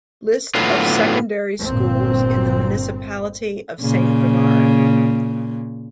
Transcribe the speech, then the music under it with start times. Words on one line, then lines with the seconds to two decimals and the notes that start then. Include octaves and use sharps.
List of Secondary Schools in the Municipality of Saint Bernard.
0.55 A2 D3 F#3 B3 F4
1.63 G1 A#2 C4
3.80 A#2 C#3